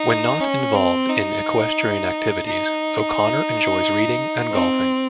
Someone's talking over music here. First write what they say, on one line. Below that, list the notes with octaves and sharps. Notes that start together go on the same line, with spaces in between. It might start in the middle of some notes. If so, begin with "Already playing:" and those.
When not involved in equestrian activities, O'Connor enjoys reading and golfing.
Already playing: D#4
C#4
C4
D#4
D#4
C4